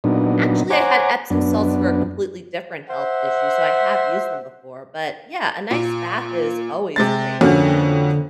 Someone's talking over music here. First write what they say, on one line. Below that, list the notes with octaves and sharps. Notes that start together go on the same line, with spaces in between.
actually, I had Epsom salts for a completely different health issue, so I have used them before. But, yeah, a nice bath is always great and
A#2 F#3 B3 D4 D#4
C5 C#5 F#5 G#5 A#5 D6
F#2 B3 D4
C5 E5 F#5
A#2
C3 G#3 A6
F2 D3 A#3 C#4 F#4